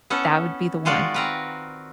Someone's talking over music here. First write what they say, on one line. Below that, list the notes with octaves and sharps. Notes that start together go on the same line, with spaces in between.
that would be the one.
B3 C#4 E4 A4
D#3 G#3 F4 F#4 D5
C4 A#4 B4